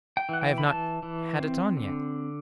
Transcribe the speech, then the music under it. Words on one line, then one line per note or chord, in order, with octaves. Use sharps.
I have not had it on yet.
G5
E3 F#5
G5
B5
E3 A5
E3
C4
D3